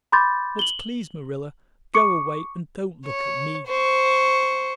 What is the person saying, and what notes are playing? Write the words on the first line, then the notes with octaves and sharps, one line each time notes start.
But please, Marilla, go away and don't look at me.
B5 C6 D6 G6 A6
F#7 G7
C#6 D6 C#7
C#5
C5 C#6